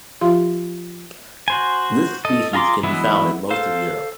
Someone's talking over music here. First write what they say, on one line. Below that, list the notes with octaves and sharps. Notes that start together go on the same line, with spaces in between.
This species can be found in most of Europe.
F3 F4 G4 F5 C6
F#4 C5 G#5
A4 D#5
F4 G#4 A#5 C6 D6
E3 F#3 G#3 B3 E4
A4 C5 F5